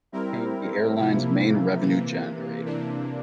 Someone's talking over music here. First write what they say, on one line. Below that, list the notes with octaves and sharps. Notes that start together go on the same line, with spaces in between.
The type became the airline's main revenue generator.
G3 C4 E4 A#4
C3 F3 A#3 E4
C3 E3 A#3
C3 E3 A#3 D4